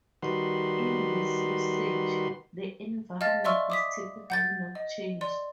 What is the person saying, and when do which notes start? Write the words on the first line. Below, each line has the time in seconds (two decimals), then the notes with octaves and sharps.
In this usage, the environment is typically not changed.
0.23 D#3 G3 F#4 B4 C6
3.21 D#5 F5 A5 F6 A6
3.44 D5 E5 C6 C#6 E6 F6
3.70 D6 D#6 B6
4.30 F#5 G6 A6
4.75 D#5
5.21 D5 C6